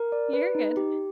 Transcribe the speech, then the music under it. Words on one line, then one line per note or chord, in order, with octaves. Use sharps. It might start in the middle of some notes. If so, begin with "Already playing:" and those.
You're good.
Already playing: A#4
D5
B4
D#4
G4